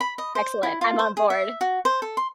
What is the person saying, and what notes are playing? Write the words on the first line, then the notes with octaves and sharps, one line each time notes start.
excellent, I'm on board.
B5
D#5
C5
E4
F4
C5
G#4
E5
F#4
C5
A4
C6